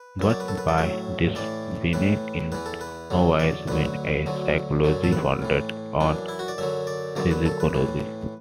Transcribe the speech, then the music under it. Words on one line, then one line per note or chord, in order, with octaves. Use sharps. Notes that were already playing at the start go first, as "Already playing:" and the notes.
But by this Beneke in no wise meant a psychology founded on physiology.
Already playing: B4
F#2 F#3 E5
D5
B4
A4
B4
D5
A2 F#3 E5
A2 E3 D5
A2 E3 B4
E2 E3 B4
A4
B4
E2 D3 F#3
D5
D2 D3 F#3 B4
D2 D3 F#3
F#2 D3 F#3
A4
B4
A2 E3
F#2 E3 D4
E4
F#4
D5
F#2 D3 F#3 E5
D5
F#2 D3 F#3 D5
B4
A4
B4
A2 E3